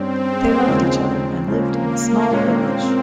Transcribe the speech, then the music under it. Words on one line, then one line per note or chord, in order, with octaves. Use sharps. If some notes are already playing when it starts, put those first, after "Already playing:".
They loved each other and lived in a small village.
Already playing: G2 G3 C4 C#4
G#3
D#2 C#3 F3 A#3 C#4
C#3 F3 G#3 A#3 C#4
A#2 G#3 C4 C#4